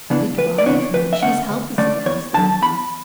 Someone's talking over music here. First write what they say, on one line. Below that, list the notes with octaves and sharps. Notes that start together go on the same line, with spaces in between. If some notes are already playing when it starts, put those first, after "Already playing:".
They drive her, and she is helpless against them.
C#3 E3 B3 D4
D2 B4
D5
C#3 E3 B3 D4 C#5
D2 B4
E5
D3 A3 C#4 F#5
D2
D3 A3 C#4 D5
E2 C#5
D3 F#3 A5
E2 B5